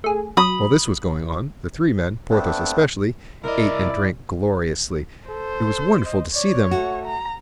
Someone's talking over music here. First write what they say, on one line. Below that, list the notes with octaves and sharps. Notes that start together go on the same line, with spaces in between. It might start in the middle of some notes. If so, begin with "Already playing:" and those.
While this was going on, the three men, Porthos especially, ate and drank gloriously,--it was wonderful to see them.
A3 G#4
F#3 B5 D#6
A3 B3 C4 D4
C2 E4 A#4 D5 D#5
A4 C5
D#5
C#5 D5
A3 F#4
A#5